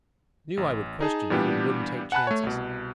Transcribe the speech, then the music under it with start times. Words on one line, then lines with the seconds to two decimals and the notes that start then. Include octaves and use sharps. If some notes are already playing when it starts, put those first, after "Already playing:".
Knew I would question you and wouldn't take chances.
0.57 A1
1.01 D#4 G#4 A5
1.30 A#2 E3 G3 B3 D4 G4
2.12 F#5 G#5 A5 B5 F#6
2.27 A3 C#5
2.43 C2 B2